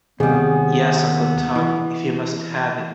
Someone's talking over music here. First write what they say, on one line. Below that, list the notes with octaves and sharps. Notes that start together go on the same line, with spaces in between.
Yes, Uncle Tom, if you must have it.
D#2 C3 G3 B3 G#4
E3